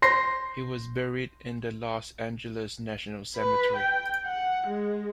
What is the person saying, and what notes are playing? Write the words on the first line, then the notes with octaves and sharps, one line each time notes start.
He was buried in the Los Angeles National Cemetery.
C6 A#6 C7
B4
G5
F#5
G#3